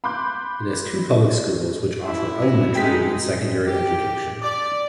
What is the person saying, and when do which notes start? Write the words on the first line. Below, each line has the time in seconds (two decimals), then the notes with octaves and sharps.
It has two public schools which offer elementary and secondary education.
0.04 B5 C6 D6 F#6 G6
2.04 E4
2.42 F#3
2.75 G#3 D#4 G5 B6
3.67 G4
4.42 D5